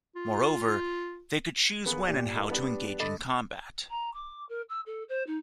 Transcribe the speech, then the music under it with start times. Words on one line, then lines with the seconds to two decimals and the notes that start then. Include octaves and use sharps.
Moreover, they could choose when and how to engage in combat.
0.16 F4
1.86 A#3 B3 G#4
2.05 D#2 A#2 G4 D5
2.35 E4 A4 A#4 D#5
2.50 G3 B3 D4 G4
3.00 D3 D#5 B5 D6 D#6 A6
3.89 A#5
4.14 D6
4.49 A#4
4.69 E6
4.86 A4
5.08 C5
5.26 D#4